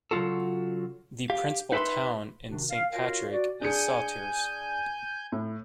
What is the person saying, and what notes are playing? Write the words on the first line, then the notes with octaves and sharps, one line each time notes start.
The principal town in Saint Patrick is Sauteurs.
C#3 F#3 G3 F4 F#4 A4
G4 F5
D#4 B4 E5 G5 B5 C6
C3 D#3 D4 F#4
F5
F4 F#4 A#4 C#5 F5
F#4 D5
D4 G#4 G#5 G6 C#7
A2